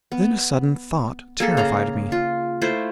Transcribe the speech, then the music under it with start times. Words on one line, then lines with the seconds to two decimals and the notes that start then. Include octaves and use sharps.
Then a sudden thought terrified me.
0.12 B3
1.40 A#3 G#4 A4
1.57 C#3 F5 A#5
2.12 F4
2.61 A3 E4 F4 C5